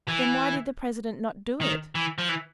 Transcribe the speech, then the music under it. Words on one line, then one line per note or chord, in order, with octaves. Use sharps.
"Then why did the president not do it?"
E3
D#3
E3
F3
E3